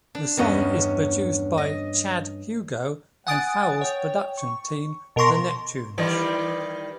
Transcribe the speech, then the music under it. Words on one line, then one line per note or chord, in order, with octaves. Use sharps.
The song is produced by Chad Hugo and Pharrell's production team, The Neptunes.
D4
E2 G2 C#4 D#5 E5
D#5
F#5 G#5 D#6 A6 D7
C#5 G5
C#6
B2 A#4 A#5 C6 C#6 A#6
D#3 E3 G3